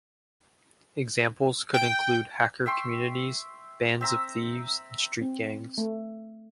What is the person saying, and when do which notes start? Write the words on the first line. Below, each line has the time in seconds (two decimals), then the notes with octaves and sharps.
Examples could include hacker communities, bands of thieves, and street gangs.
1.74 G5
2.66 E5 G5 C6 C#6
4.01 C4 E5 A#5
5.21 C4
5.78 A3